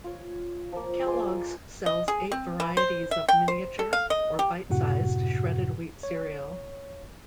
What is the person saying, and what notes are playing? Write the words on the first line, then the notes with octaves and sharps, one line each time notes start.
Kellogg's sells eight varieties of miniature, or bite-sized, shredded wheat cereal.
F4 C#5
F3 A#3
G#3 D5 G#5 C6
D#5
G#4
C4
E3
C5
E5
G5
C5
A4
F5
D#5
G4
F#2 A2 C3 F#4 F#5
C#5